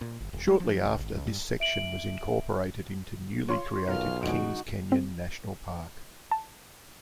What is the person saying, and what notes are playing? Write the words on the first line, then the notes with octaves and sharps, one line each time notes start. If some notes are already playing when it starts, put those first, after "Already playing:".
Shortly after, this section was incorporated into newly created Kings Canyon National Park.
A#2
G1
D#1
G#3
F3
C#2
G#1
C#2
G2
E5 D7 F#7
F4 C#5 C6
B1 F4 A#4 F6
F2 D3 G#3 D#4 F#4 D7
C4
A5